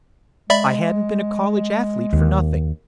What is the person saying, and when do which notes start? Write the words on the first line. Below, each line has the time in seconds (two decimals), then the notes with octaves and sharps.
I hadn't been a college athlete for nothing.
0.50 G#3 D5 E5 B5
2.13 D#2